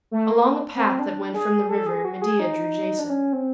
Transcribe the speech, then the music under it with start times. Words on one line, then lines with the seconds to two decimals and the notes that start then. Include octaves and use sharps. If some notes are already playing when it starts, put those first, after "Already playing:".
Along a path that went from the river Medea drew Jason.
0.11 A3
0.29 A#3
0.76 C4
0.99 D4
1.34 G#4
1.69 A4
1.86 G#4
2.05 F#4
2.22 G#4
2.39 D#4
2.99 D4
3.09 C#4
3.33 C4